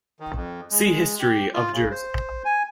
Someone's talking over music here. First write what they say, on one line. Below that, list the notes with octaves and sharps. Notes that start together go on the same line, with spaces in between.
See History of Jersey.
D#3
F2
G#3
G4
F4
C#3
C5
G#5